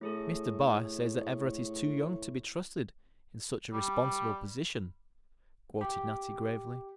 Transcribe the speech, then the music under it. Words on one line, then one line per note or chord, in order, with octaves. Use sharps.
"Mr. Barr says that Everett is too young to be trusted in such a responsible position," quoted Natty gravely.
A2 A3 G#4 A4
G3
G4